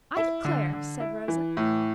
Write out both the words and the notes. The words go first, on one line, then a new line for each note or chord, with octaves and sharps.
"I declare!" said Rosa.
E4
D3
D3
E4
E3
A2